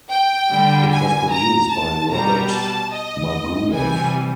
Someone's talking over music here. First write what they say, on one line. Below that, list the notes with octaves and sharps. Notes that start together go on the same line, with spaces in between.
It was produced by Robert Margouleff.
G5
D3 G3
G#5
A#5
A5
B2 G3 A#5
A5
D#5
C3 E3 G3 G#5